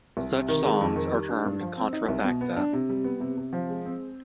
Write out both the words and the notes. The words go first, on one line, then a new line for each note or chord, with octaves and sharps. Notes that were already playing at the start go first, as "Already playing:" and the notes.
Such songs are termed contrafacta.
C2
C3
D#3
G#3
F2
D#3
G3
D4
G2
F3
C4
D#4
C2
B2
B3
D4
C3
G3
B3
C3
C3
F3
G#3
C4